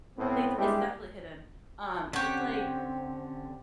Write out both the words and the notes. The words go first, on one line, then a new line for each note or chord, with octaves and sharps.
they It's definitely hidden. Um, it's like
A2 B3 C4
G3 G#3 D4 E4 G4
D3 C4 C#4 G4 F#5 C#6